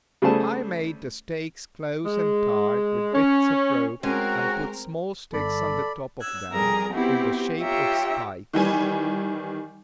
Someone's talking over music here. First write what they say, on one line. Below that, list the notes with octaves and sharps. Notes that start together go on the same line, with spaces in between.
I made the stakes close and tight with bits of rope; and put small sticks on the top of them in the shape of spikes.
C#3 G3 A3 G#4 C5 A5
G#3
C#4
G#3 C4 C#4 F#4 A#4
G1 A4 D5 B5
E6 F#6 G#6
F2 G3 G#4 A#4 A#5
B3 C4 E4 F#4 G4
F4 G4 C#5 E5 G5 A#5
D#3 E3 G3 G#5